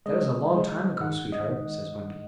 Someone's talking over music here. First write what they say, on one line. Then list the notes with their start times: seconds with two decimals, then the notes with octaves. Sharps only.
"That is a long time ago, sweetheart," says Wendy.
0.06 G#3 D#5
0.54 G#3
1.01 D#3 F#5
1.32 D#5
1.48 D#3